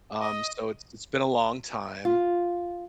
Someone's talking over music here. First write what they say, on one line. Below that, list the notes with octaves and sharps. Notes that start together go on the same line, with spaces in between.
um, so, it's it's been a long time,
D#5
F4